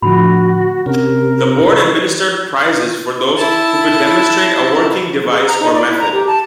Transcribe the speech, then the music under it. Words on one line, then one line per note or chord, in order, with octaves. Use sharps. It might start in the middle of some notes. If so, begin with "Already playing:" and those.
The Board administered prizes for those who could demonstrate a working device or method.
A2 D3 F3 F#4 B5
C3 C#4 A#4
B4 C5 C#6
E4 A5
G#4
A#5
D#4
D5
E4
A#5
G4
A5